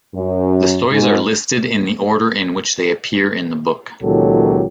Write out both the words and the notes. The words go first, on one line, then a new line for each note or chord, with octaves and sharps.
The stories are listed in the order in which they appear in the book.
F#2
G#2
C#2 A#2 D#3 F#3 G4 A4